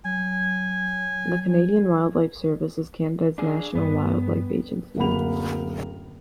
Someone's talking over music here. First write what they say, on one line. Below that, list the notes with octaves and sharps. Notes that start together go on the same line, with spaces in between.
The Canadian Wildlife Service is Canada's national wildlife agency.
F#3 G#5
D4 G#4
G2 B3
D1 F#2 A#3 F#5 B5 F7